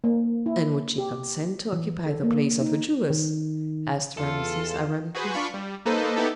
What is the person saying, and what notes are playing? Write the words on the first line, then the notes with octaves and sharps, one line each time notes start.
"And would she consent to occupy the place of the Jewess?" asked Rameses, ironically.
A#3
E4
G4
E3
A4
A#3
D#4
D#3
E2 F4 A4
F#4 G#4 B4 C5
D4 F4 B5 C#6
G3
A#3 D#4 A4 B4 C5
B3 D#4 E4 G4 A4